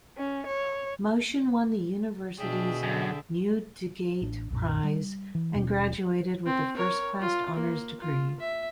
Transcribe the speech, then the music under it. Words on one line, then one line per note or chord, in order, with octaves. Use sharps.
Motion won the university's Newdigate Prize and graduated with a first class honours degree.
C#4
C#5
B2 D4 G#4 E5 G5
F#2 D3
A1 D4
B1 F#2 A#2
G3
E3
D#1 B2 C#4
C4
A#4 C#5
F4
A#3
F4
E5